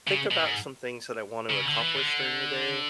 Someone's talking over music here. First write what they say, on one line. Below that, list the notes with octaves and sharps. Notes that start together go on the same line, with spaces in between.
think about some things that I wanna accomplish during the day,
C#3
B2
G#2
C#3
D3
E3
D3